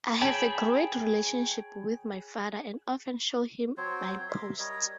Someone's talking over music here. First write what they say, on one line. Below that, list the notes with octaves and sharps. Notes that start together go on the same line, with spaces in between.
I have a great relationship with my father and often show him my posts.
G#4 C#5 G5 A5 B5
F#3 C4 C5 C#5
A#4 E5 C6
G3 A#4 C#5 D#5